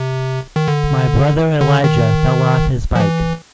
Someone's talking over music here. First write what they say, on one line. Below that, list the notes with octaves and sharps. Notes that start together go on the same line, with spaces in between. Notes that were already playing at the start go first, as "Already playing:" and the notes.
My brother Elijah fell off his bike.
Already playing: C3
D#3
D3
D3
D#3
F3
E3